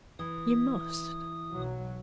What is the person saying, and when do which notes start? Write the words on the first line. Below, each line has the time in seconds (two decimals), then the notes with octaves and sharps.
You must.
0.19 E3 D#6
1.52 B1 F#3